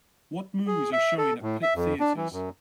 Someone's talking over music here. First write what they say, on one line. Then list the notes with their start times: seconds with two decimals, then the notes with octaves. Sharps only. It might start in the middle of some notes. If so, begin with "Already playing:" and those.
What movies are showing at Plitt Theatres.
0.67 G#4
0.93 E5
1.18 A4
1.42 A2
1.62 E5
1.76 F2
2.00 D4
2.16 E3
2.32 F#2